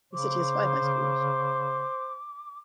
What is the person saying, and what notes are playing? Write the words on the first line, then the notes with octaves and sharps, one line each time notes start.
The city has five high schools.
C#3 C5 D6